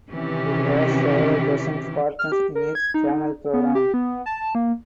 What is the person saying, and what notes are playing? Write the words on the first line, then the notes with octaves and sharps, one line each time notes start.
It has several dozen partners in its channel program.
C3 D#3 E3 C#4 G4
F6
G4
A#4
G#6
D#4
B3
G4
B3
A5
A#3